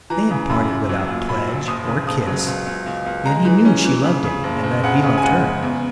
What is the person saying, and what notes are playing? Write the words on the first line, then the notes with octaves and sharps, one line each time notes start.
They had parted without pledge or kiss, yet he knew she loved him and that he loved her.
E3 A#5
C#3
F#2 B5
F#2
F#3
A#2
A#2 B5
A#1
F#1 D#6
C#3
F#1 D#6
F#3
C#2
C#2
C#2
C#2
G#3 A#5
E3
C#4
E3
C#3
C#3
F#1
F#1
C#3 F#5
C#3
G#5
G#3 F#5
C#3
E2